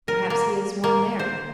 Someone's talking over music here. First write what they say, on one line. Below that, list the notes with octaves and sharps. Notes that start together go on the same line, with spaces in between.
Perhaps he has won there.
A#4
A#3
A#3
C5